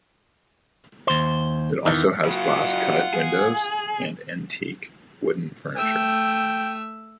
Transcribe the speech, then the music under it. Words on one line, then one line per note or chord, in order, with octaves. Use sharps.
It also has glass cut windows and antique wooden furniture.
D#2 C5
E2 D#3 E3
C#3 F#3 F4 F#5
G#4
A3 E5 G5